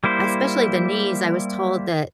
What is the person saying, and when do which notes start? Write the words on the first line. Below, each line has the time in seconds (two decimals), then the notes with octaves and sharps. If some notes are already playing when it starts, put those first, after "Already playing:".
Especially the knees, I was told that
0.04 G3 A#3 E4 C5